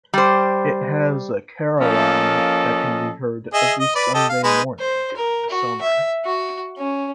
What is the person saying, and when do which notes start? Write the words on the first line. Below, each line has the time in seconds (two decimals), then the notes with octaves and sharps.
It has a carillon that can be heard every Sunday morning during the summer.
0.13 G3 C5
1.80 F3 A#3 C#4 A4 D#5
3.54 G#4 D#5 E5
3.80 D#5
3.95 B4 D5
4.14 G4 A4 D#5
4.29 F5
4.44 G#3 D#4 B4
4.79 C5
5.16 A#4
5.50 F#4
5.81 E5
6.25 F#4
6.77 C#4